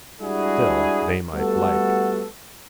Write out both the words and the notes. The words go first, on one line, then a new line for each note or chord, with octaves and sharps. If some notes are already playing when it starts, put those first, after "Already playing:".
Still they might like.
G3 G#3 D4 E4 F#4 G#4
G3 A3 B3 F#4 A4